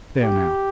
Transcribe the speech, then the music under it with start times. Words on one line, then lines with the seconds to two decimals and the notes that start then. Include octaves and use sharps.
There, now.
0.23 G4